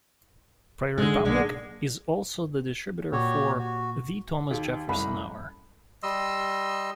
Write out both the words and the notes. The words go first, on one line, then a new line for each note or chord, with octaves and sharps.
Prairie Public is also the distributor for "The Thomas Jefferson Hour".
G#2 D3 G#3
B1 D3 G#3 A#3
A#2 F#4 G4 C#5
F#4
D#2 G4
C2 F#2 A3 F5 B5
G3 D#5 C6 E6